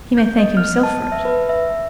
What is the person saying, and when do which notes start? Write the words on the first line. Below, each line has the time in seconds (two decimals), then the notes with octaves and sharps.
"He may thank himself for it."
0.18 G6
0.38 D#5
0.57 F6
0.83 A5
1.12 E5
1.25 B4
1.49 E5